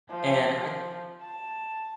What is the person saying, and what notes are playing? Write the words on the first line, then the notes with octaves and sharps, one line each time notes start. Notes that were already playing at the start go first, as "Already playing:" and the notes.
and I
F3
A5